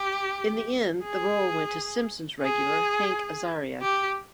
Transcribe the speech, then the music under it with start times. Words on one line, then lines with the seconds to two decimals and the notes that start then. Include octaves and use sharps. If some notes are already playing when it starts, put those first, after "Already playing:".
In the end, the role went to "Simpsons" regular Hank Azaria.
Already playing: G4
1.04 G#4
2.42 G#4
3.82 G4